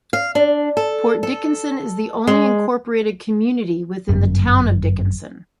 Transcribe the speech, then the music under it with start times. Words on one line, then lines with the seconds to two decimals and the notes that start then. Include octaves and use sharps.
Port Dickinson is the only incorporated community within the town of Dickinson.
0.13 F5
0.35 D4
0.77 A4
1.23 A4
2.27 G#3
4.09 G1 F#2